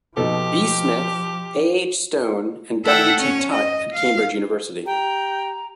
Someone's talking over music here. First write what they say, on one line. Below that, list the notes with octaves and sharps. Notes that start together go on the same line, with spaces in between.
B. Smith, A. H. Stone and W. T. Tutte at Cambridge University.
B2 F3 D#4 G4 A4
A3 A4 E5 F#5 G5 A#6
C#4 C#5
D#5
F5
G4 G5 A#5